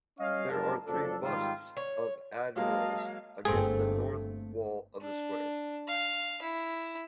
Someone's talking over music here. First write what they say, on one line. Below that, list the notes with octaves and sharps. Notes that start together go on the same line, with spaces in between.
There are three busts of admirals against the north wall of the square.
G3 C#4 C#5 D#5 F5
F#1 G3 G#3 A#3 A#4 A5
F#1 F3 D4 A4
G#2 D#3 F3 G3 C4 F4
C#5
F#3 G#3 A#3 D#5 F5 A5
G1 A3 A#3 C4 G#4
D4
F5
E4